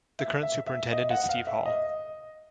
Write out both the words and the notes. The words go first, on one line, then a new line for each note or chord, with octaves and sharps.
The current superintendent is Steve Hall.
E5
E5
E5
D#5
F#5
F5
E5
D#5